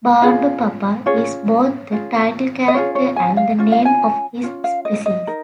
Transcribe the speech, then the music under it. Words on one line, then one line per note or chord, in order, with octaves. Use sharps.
Barbapapa is both the title character and the name of his "species".
C#4 F4 G#4 F5
C#4 F4 G#4 C#5
C#4 F4 G#4
D#5
C#4 F4 G#4 C#5
C#5
G#5
F5
C#4 F4
F5
G#5
C#4 F4
F5
D#5
D#5
D#4 A#4